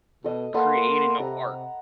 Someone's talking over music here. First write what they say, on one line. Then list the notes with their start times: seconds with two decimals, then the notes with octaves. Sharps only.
creating of art
0.24 B2 A4 D#5
0.54 A#3 A4 B4 F#5 C6
1.20 C3 A#5